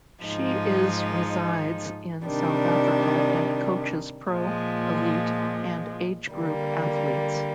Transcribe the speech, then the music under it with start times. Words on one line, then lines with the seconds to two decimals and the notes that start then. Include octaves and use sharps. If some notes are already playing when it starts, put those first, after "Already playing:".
She is resides in South Africa and coaches pro, elite and age group athletes.
0.22 G#2 F3 G#3 D#4
2.26 C3 D#3 G3 D4
4.30 A#2 F3 G#3
6.34 D3 G3 A#3